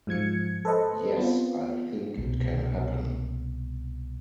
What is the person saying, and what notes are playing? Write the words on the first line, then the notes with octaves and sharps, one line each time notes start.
Yes, I think it can happen.
G#2 F3 G#6 C#7
A4 B4 C5 D#5
B3 C4 F4
C2 B2